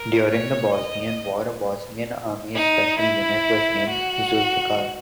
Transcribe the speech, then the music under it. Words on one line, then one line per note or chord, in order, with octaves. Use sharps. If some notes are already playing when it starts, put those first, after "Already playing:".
During the Bosnian War, a Bosnian army's special unit was named "Zulfikar".
Already playing: A#4
C#5
D#5
D#4
E4
F#4